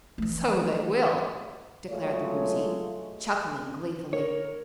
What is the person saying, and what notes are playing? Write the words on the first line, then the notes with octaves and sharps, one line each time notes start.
"So they will," declared the Woozy, chuckling gleefully.
E3 A3
F#3 G#3 A3 F4 C#5
A#4 C#5